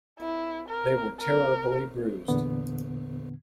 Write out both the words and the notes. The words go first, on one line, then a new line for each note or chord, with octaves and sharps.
They were terribly bruised.
E4
A#4
A#4
E2 A#2 D3 B3